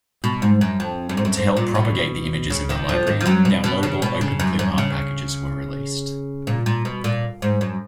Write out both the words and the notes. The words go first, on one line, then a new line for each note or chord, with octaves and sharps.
To help propagate the images in the library, downloadable Openclipart packages were released.
B2
G#2
F#2
F2
F#2
G#2
F#2
G#2
A#2
B2
C#3
D#2 D#3
F2 F3
D#2 D#3
F3
F#2 F#3
B2
B2
C#3
B2
C#3
F#2
F#2
C#3
A#2
A#2
B2
A#2
G#2
F#2